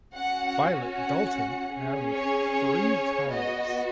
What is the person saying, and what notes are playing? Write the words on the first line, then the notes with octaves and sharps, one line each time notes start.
Violet Dalton married three times.
C#4 F#4 F#5
F#5
C#4 G#4
C#5
C#5
B3 F#4 D#5